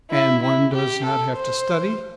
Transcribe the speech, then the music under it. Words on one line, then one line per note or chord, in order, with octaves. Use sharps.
"And one does not have to study?"
E4
E4
G4
A4
C5